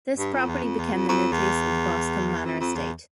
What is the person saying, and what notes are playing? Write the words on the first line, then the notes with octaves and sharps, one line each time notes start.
This property became the nucleus of the Boscombe Manor Estate.
G2
F2
E2
F2
E2
F2
F2
E2
F2
F2
E2